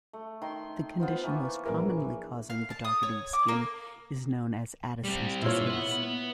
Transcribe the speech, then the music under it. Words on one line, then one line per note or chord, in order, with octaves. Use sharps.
The condition most commonly causing the darkening of skin is known as Addison's disease.
A3
D#3 C6
B3 F4 C5
E3 A#3 C#6
A#1 E3 A#4
F5
A5
D#6
C#5
D6
A#3
G3 C4
A#2 E4 F4 C#5
B4 F#5